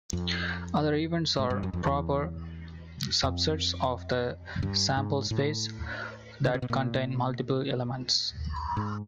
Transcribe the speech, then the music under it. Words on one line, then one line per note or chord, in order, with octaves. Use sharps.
Other events are proper subsets of the sample space that contain multiple elements.
F2
G#2
G2
F#2
F2
E2
F2
G2
G#2
A2
C#3
C3
B2
A#2
G#2